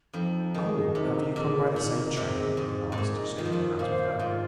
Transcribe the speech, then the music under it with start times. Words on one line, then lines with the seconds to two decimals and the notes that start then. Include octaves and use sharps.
'Oh! have you come by the same train?' he asked, shaking hands with her.
0.13 F2 F3 D#4
0.54 D#3 G#4 D#5
0.95 C3 D#4
1.35 A#2 G#4 D#5
1.76 A#2 D#4
2.16 C3 G#4 D#5
2.57 G#2 D#4
2.92 G#2
2.98 A#2 G#4 D#5
3.38 D#3 F4
3.45 F3
3.53 D#3
3.79 A#2 C5 F5
4.19 G#2 F4